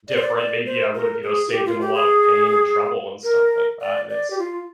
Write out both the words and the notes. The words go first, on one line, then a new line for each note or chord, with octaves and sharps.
"different." Maybe I would've, you know, saved him a lot of pain and trouble and stuff like that, and it's
D5
C5
D5
D5
C5
A#4
G#4
F4
G4
F4
G4
G#4
A#4
D5
D5
G4
F4